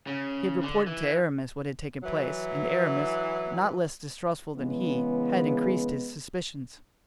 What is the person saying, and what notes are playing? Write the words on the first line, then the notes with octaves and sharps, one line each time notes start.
He had reported to Aramis what had taken place, and Aramis, not less distrustful than he, had increased his suspicions.
C#3
D3
E3
E3 F#3
C#3 E3 G#3 B3